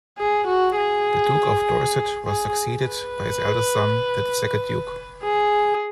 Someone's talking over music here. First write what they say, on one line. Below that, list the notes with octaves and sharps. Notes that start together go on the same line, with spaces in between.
The Duke of Dorset was succeeded by his eldest son, the second Duke.
G#4
F#4
G#4
G#4
B4
G#4